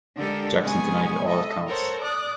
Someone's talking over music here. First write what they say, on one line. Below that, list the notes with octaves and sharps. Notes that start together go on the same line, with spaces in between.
Jackson denied all counts.
D3 G#3 D4 G4 A4 A#4
C3 G#3 B3 G#4 G#5 C#6
A4 D#5 E5
A4 A#4 C5 C#5 F#5
D5 D6 D#6 F#6